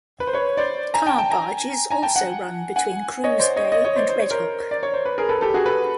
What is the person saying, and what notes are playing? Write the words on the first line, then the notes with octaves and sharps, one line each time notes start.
Car barges also run between Cruz Bay and Red Hook.
B4
C5
B4 C#5
C5 D5
G#5 A#5
G5 A5
G5 A5
G#5 A#5
G#5 A#5
G5 A5
F#5 G#5
F#5 G#5
C#5 D#5
C5 D5
C#5 D#5
C#5 D#5
C#5 D#5
C5 D5
C5
C#5
A#4 C5
D5
C#5
C5
B4
G#4 A#4
A4 B4
G4 A4
F#4 G#4
A4 B4